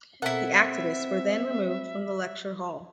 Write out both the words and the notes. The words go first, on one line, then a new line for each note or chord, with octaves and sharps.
The activists were then removed from the lecture hall.
B2 C4 E4 A4 A#4 E5 F#5